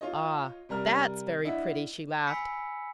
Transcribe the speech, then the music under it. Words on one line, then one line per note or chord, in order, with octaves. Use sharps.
"Ah, that's very pretty!" she laughed.
F4 C#5 D#5
C3 G3 A#4 F6
D4 E4 D#5 E5 F#5
G#5 B5 E6 B6 C#7